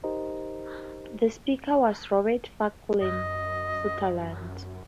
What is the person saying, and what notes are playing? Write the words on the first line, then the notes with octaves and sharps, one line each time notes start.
The Speaker was Robert Franklin Sutherland.
D#4 G4 A#4 C5 D#5 A#5
F#2 D#5